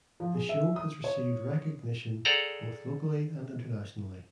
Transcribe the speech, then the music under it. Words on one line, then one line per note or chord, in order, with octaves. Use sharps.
The show has received recognition both locally and internationally.
F3
G#4
E5
D#6
C#5
G#4 A4 C5 D5 F#5 A#5